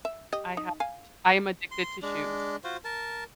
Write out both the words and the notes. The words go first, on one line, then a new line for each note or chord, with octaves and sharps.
I have sh I am addicted to shoes.
E5
G4 D#5
D#4
F5 G#5
C6
G#3 D4
F4 F#4 C5
A#4 A5